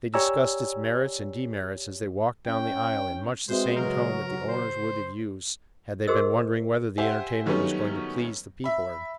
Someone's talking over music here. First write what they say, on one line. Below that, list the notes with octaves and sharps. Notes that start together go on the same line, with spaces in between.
They discussed its merits and demerits as they walked down the aisle in much the same tone that the owners would have used had they been wondering whether the entertainment was going to please the people or not.
G4 C#5 D5 G#5 A#5 E6
C#4 G5
G#3 C4 F#4 B4 C5 E5
C#3 F#3 A#4 B4
C5
F#4 G#4 A#4 C5 D#5 E6
G4 C5 E5 F#5 G#5
D#3 F#3 G3 A3 B3 C#4
E5 B5